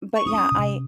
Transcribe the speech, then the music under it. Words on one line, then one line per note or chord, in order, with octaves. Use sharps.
but yeah I
C#6
C#4 D#6
C3